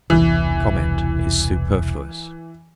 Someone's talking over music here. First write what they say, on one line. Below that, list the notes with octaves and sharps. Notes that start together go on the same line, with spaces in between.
Comment is superfluous.
E1 C2 E3